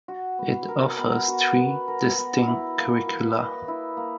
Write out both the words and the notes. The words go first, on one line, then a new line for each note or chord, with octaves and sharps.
It offers three distinct curricula.
F#4
B3
A#4
B3
F#4
B3
A#4
B3
E4
A#3
B4
D#5
E4
A#3